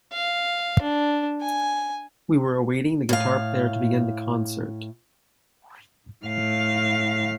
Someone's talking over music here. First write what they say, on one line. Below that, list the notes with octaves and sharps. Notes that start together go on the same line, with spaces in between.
We were awaiting the guitar player to begin the concert.
F5
D4
G#5
A2 F5
A2 F5